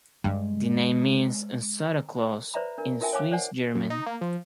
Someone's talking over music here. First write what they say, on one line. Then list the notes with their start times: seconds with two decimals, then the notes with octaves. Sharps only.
The name means "Santa Claus" in Swiss German.
0.24 G2 G#3
2.54 B4 C5 D5 E5 A#5 B5
2.78 D4 A#4
3.00 D#4 F4 A#4 E5 G5 G#5
3.13 C#5 F5 G#5 D6
3.31 C5 D5 F#5 G#5
3.75 F#2
3.90 D#4
4.06 A#3
4.21 F3